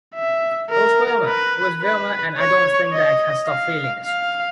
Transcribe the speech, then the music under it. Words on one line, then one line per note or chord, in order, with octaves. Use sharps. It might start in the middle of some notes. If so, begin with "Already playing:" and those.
It was Vilma. It was Vilma and I don’t think that I can’t stop feeling this.
E5
A#4
B4
B4
C#5
D#5
F5
F5